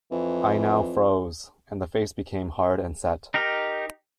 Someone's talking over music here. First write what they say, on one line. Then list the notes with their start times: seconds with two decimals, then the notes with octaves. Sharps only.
I now froze, and the face became hard and set.
0.11 F2 E3
3.34 D#4 G4 A#4